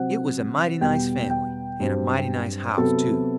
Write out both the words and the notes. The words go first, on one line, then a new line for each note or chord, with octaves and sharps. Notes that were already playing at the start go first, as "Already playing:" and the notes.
It was a mighty nice family, and a mighty nice house, too.
Already playing: C3 F#3 C4 F#5
E2 B2 G3 B3 G5
G5
G2 F#3 C4
C3 F#3 B3 A4